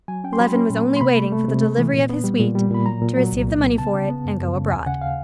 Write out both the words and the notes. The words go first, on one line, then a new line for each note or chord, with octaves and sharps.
Levin was only waiting for the delivery of his wheat to receive the money for it and go abroad.
F#3 G#5
C#4 G5
C6
F#3 B5
C#4
A#2
A#3
C6
C3 B5
A3
A3
C3
A3
E3
A#2
B3
G3
A#2
G3
A#2 B5
F#3 A#5
A#2
F#3
C2
A#2
B3
C#3 A5
C#3
B3
F#2
F#2
C#3
D#2 G#5
C#3 F#5
F5